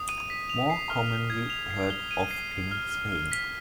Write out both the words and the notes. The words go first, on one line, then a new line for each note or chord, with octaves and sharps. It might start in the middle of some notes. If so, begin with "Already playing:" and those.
More commonly heard of in Spain.
Already playing: D#6
D#7
B6
F7
C7
F6
F7
G#6
F7
C7
G7
D#7
C7
C7
F6
F6
F6
B6